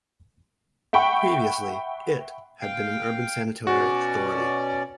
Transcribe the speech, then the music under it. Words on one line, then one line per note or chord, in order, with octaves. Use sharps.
Previously, it had been an urban sanitary authority.
E5 F#5 G5 B5 C#6
F5 G5
B2 C#4 F#4 D5